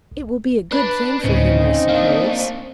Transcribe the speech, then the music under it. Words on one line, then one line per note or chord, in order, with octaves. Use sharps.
"It will be a good thing for him, I suppose."
B1
D4 B4
D2 A2 C#3 C4 D#4
A#3 D4 F5